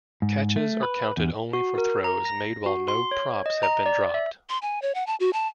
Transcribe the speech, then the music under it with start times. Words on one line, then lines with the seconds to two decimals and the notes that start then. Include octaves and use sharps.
Catches are counted only for throws made while no props have been dropped.
0.22 G#2
0.56 A3
0.83 B4
1.17 E2
1.53 F#4
1.78 A#4
2.04 A#5
2.25 A#6
2.66 F#4
2.88 C6
3.11 C#5
3.46 D#5
3.63 A#5
3.86 D5
4.14 E5
4.49 C6
4.62 G#5
4.82 C#5
4.95 F#5
5.07 A5
5.20 F#4
5.33 A5